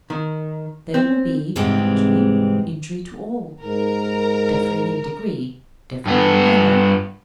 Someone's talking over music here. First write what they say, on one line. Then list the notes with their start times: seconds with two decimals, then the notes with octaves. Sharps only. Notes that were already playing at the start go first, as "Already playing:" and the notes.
There will be injury--injury to all; differing in degree, differing in manner.
0.10 D#3
0.94 C4
1.56 G#2 C3 E3 G3 G#3 C4
3.63 G#2 A#4
6.06 G2 B3